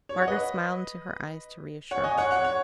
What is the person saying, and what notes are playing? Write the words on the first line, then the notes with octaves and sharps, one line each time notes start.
Margaret smiled into her eyes to re-assure her.
C#5
F#5
B4 D#5
C#5 F#5
D#5 G#5
C#5 F#5
C#5 F#5
C#5